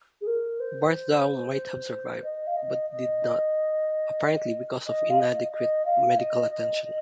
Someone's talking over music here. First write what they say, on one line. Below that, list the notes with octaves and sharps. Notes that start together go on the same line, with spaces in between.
Barthou might have survived, but did not, apparently because of inadequate medical attention.
G#4
A#4
C5
D#5
F5
D#5
D#5
D#5
F5
D#5
D#5
F5
D#5
D#5
D#5